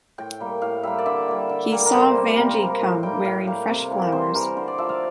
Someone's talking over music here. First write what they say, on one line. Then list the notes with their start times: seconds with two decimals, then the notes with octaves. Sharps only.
He saw Vanji come wearing fresh flowers.
0.18 A2 G5
0.40 G3 A#3
0.62 A2 F5
0.83 G3 A#3 E5
0.98 D5
1.06 D3 E5
1.28 G3 A#3
1.49 D3
1.72 G3 A#3
1.86 A#4
1.94 C3 C5
2.15 G3 A#3
2.37 C3 A#4
2.59 G3 A#3
2.81 A2
3.03 G3 A#3 G5
3.25 A2 F5
3.47 G3 A#3
3.68 C3
3.91 E3 G3 A#3
4.12 C3 C5
4.34 E3 G3 A#3 A#4
4.56 D3 C5
4.68 D5
4.78 F3 A3 E5
4.89 F5